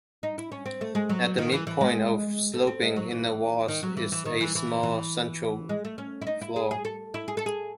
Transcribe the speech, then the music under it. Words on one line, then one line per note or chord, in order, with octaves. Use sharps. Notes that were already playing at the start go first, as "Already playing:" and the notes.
At the midpoint of the sloping inner walls is a small central floor.
D#4
E4
C#4
C4
A3
G#3
F#3
D#3
E3
E3
G#3
A3
C4
G#3
F#3
E3
D#3
F#3
E3
E3
D#3
E3
E3
E3
G#3
A3
C#4
E4
D#4
E4
G#4
G#4
A4
E4
G#4
A4
G#4